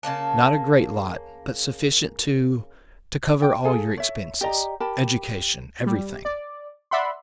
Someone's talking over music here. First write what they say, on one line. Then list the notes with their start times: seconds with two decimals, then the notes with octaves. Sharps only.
Not a great lot--but sufficient to--to cover all your expenses. Education--everything.
0.03 C#3 G#3 A#3 A5
3.42 G5
3.64 G#4 A4 F5 G#5
3.97 C#5 E5
4.41 G4 D5 D#5 A#5
4.80 G4 A#4 A5 B5
5.86 G3
6.25 D5
6.91 D5 E5 F#5 B5 C6